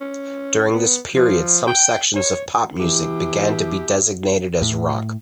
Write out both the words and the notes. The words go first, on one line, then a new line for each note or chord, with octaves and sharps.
During this period some sections of pop music began to be designated as rock.
C#4
B3
F3
G5
C#5
B2 E3 E4 G4
A2